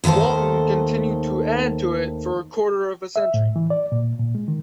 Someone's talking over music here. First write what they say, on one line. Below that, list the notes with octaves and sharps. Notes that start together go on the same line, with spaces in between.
Walton continued to add to it for a quarter of a century.
D#2 D#3 A3 A4 C5
E5
A2
E3
D5
A#2
A#2
G#3
D#3